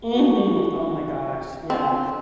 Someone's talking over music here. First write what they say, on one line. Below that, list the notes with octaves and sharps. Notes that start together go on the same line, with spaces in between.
Mhm. Oh my gosh. Yeah.
F#4
C4 F4
D4